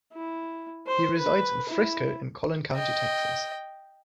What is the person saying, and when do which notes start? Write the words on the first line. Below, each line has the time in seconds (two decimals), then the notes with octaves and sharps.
He resides in Frisco in Collin County, Texas.
0.14 E4
0.87 C5
1.17 B4
1.69 E4
2.75 D#5 G5